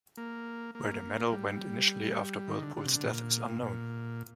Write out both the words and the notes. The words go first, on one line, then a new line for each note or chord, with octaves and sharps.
Where the medal went initially after Whirlpool's death is unknown.
A#3
A#3
G3
D#3
D3
D3
C3
D3
A#2
A#2